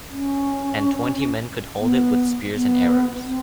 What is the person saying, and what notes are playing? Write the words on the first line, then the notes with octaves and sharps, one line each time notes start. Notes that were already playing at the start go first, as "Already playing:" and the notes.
And twenty men could hold it with spears and arrows.
C#4
B3
B3
C4